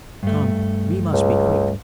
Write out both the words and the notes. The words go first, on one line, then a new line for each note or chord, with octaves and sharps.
Come, we must be quick!
G2 A3
C#2